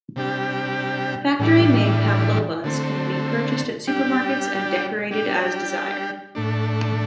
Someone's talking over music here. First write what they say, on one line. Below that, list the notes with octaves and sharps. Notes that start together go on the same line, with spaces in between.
Factory-made pavlovas can be purchased at supermarkets and decorated as desired.
C3 G3 D4 G4
A2 E3 G3 D4
D3 A3 C4
G3 D4 G4
G3 D4 G4
A2 A3 D4